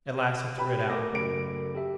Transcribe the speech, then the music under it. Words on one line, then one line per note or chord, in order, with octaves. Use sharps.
At last he threw it out.
G4 B4 B5
A3 A#4 D6 A#6
F#1 A3 D7
G4 A4 E5